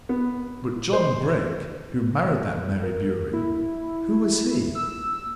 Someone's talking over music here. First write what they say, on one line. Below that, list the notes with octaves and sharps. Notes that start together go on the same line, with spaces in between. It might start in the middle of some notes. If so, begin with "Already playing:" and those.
But John Brake who married that Mary Bewery--who was he?
B3
C5
A#4
A#3 E4
E6